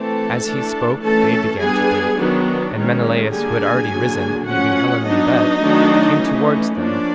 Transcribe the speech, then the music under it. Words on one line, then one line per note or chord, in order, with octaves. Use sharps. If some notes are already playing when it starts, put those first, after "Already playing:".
As he spoke day began to break, and Menelaus, who had already risen, leaving Helen in bed, came towards them.
Already playing: E3 A3 C4 A4 A5
E3 A3 D4
E3 A3 C#4 A4 A5
G3 B3 D4 G#4 G#5
D#3 F#3 B3 D4
D#3 G#3 C#4
D3 G3 A#3 D4 G#4 G#5
D3 F#3 A#3 D4
F3 A3 C#4 F#4 F#5
F#3 B3 D4 D#4 D#5
D#3 F#3 A3 D4
E3 A3 C#4
F3 A#3 C#4 D4 D5